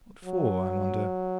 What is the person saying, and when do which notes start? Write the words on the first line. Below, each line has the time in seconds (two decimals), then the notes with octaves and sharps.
What for, I wonder?
0.25 F#3